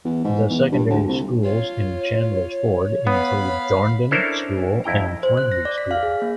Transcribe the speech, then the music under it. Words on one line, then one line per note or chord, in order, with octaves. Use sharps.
The secondary schools in Chandler's Ford include Thornden School and Toynbee School.
E2
G#2
E2
G2
D2
C2
F4 C#5
B3 F5 B5
C#4 D4 E4 A4 A#4 C5
F2 E4 G5 A#5
C5
F#6
A#6
D5
B6
F5
G#4
A#3